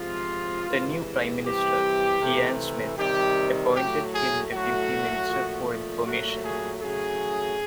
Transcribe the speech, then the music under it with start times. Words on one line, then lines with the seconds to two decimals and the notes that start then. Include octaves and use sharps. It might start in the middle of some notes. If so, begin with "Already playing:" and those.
The new Prime Minister, Ian Smith, appointed him Deputy Minister for Information.
Already playing: C3 F3 G#3 F4
0.68 C3 E3 G#3
1.44 C3 E3 G3 G4
2.21 C3 E3 A3
2.98 C3 D#3 G3 G4
3.74 A2 F#3 A3 G4
4.13 G#4
4.51 A2 F#3 A3 F#4
5.28 A#2 F3 A3
6.05 A#2 F#3 A3 F#4
6.43 G#4
6.81 C#3 F#3 A3 G#4